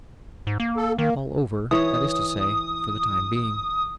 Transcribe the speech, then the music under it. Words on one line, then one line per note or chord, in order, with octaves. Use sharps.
All over, that is to say, for the time being.
G#2
A#3
A4
D#3 A#3
E3 C#5 D#6